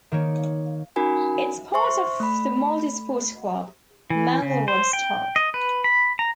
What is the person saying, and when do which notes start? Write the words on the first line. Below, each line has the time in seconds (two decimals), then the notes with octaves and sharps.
It's part of the multi-sport club Manglerud Star.
0.12 D#3 A#3 C#5
0.96 C#4 D#4 F#4 A#4 G#5 B5
1.74 C5 E5 C6 C#6
2.20 A3 B5
4.10 E3
4.42 C#3
4.68 C5
4.93 G5
5.36 D#5
5.54 B4
5.84 B5
6.19 A#5